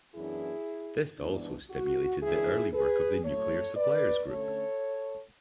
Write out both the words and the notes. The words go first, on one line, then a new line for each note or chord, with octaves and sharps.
This also stimulated the early work of the Nuclear Suppliers Group.
F#2 E3 B3 D4 E4 G#4
G#2 E3 B3 D4
F#4
C#3 E3 G#3 D4 E4 G#4
G#4 B4
A2 F#3 A3 A4 C#5
B4 D5
D3 A3 C#4 A4 C#5